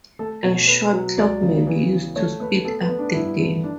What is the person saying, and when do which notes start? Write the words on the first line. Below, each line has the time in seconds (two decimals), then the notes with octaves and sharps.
A shot clock may be used to speed up the game.
0.19 A3 A4
0.44 B2 C#5
0.68 B3 B4
0.93 F#3
1.17 C#2 D5
1.42 C#3
1.67 E3
1.91 B3
2.16 A3 C#5
2.40 A3 B4
2.65 B3 A4
2.82 B4
2.89 B3
2.99 D4
3.14 G2 E4
3.40 A3
3.64 D4